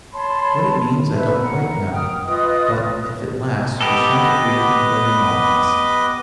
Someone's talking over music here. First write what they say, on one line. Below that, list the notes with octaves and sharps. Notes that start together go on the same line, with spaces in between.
'What it means I don't quite know; but, if it lasts, we shan't agree together long I see.
C#5 A5 B5 C6
A4 B4 E5
A#4 F#5
G5 D#6 F6
F4 B4 D#5 D#6
B3 G4 A4 B4 D#5 D6